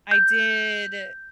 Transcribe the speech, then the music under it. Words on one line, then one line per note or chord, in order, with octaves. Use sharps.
I did,
G6